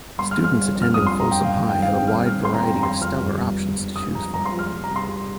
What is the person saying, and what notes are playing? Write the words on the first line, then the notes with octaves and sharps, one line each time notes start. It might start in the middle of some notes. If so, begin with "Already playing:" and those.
Students attending Folsom High have a wide variety of stellar options to choose from.
G1 C6
F6
G1
F6
G1
F2
F6
G1 D#6
C6
G1
A#5
G1 G5
F5
G1
D#3 G5
F5
C4
G5
G1 F6
D#3 F6
C4 C6
A#5
F2 G5
A#5
G1 C6
F2 F6
G2
G1
G1
G1
G2 D#6
F3 A#5
G1 A#5
C6
F3
F6
C2
A#5
C2
C6
C2